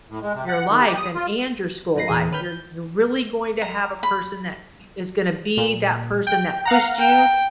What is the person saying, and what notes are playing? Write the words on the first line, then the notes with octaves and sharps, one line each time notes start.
your life and and your school life. You're you're really going to have a person that y is gonna be that person that pushed you
A2
G#3
C3
F#5
D#3
G4
D#6
F4
A2 F#3 D#4 B4 A#6 C7
E2 A#2 E3 G#4 D#6
D#3 C#4 B4 F6 G6 B6
G6
A#5
B5
A#2
G5
F5 F#5 A#5
G5